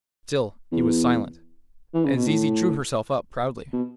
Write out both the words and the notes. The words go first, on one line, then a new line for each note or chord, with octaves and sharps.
Still he was silent, and Zizi drew herself up proudly.
E2
E3
C#3
B2
A2
B2